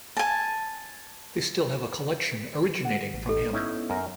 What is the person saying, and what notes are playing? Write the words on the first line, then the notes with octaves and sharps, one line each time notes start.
They still have a collection originating from him.
G#5 A5
D3 F#5
A1
D#4 A4
B3 C#4 D#4 E4
F#2 A#4